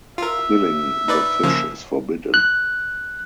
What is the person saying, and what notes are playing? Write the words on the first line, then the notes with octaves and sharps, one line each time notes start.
Killing the fish is forbidden.
F4 A#4 E5
D#4 B4 D5
C#3 F3 A#3
F#6